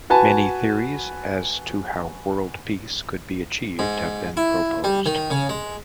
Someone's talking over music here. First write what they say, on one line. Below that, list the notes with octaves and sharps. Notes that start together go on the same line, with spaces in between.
Many theories as to how world peace could be achieved have been proposed.
F#4 B4 G#5 A5
G#2
E4
G3
D#3
C#3
G#3